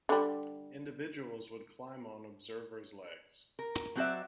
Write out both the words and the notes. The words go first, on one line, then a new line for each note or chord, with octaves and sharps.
Individuals would climb on observer's legs.
D3 G3
A#4
F#3 C4 F#4 A4 D5 E5